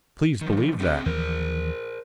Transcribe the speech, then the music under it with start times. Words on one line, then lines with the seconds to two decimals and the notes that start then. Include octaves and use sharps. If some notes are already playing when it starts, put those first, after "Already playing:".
"Please believe that."
0.41 D#3 F3
0.80 C4 D4 G#4
1.06 D#2 E3 F3 A#4 C5